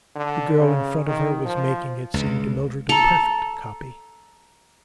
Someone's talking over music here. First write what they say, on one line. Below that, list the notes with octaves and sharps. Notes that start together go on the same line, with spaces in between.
The girl in front of her was making, it seemed to Mildred, a perfect copy.
D3
C#3
D#3
F3
C#2
A4 A#5 F7